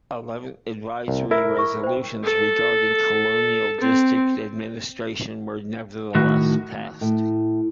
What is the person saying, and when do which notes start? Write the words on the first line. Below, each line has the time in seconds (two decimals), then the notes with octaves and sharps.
Eleven advisory resolutions regarding colonial district administration were nevertheless passed.
1.08 C2
1.31 E4 A#4 E5
1.57 E5 C#6
1.83 C5 G5
2.24 A4
3.80 C4
6.15 A2 D#3 F#4
7.01 A2